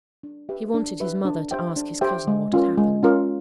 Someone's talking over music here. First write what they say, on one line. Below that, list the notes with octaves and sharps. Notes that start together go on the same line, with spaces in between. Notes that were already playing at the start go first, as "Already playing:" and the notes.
He wanted his mother to ask his cousin what had happened.
D4
G4 B4 E5
D4
G4 B4 E5
D4
G4 C5 E5 G5
D4
G4 C5 E5 G5
G#3
C#4 F4 A#4
G#3
C#4 F4 A#4